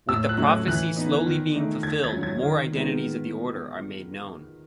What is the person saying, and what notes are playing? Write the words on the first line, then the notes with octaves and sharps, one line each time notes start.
With the prophecy slowly being fulfilled, more identities of the Order are made known.
A2 E6
F#6
F#3 A3 C#4
F#6
E3 F#6
B3 D#4
D#3
A3 D#4
D#3 G#6
G#6
F#3 C#4
G#6
D#3
G#3 B3 D#4